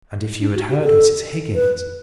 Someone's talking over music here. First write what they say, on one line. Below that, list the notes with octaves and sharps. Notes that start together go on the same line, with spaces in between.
And if you had heard Mrs. Higgins!
D4
F#4
G4
A4
B4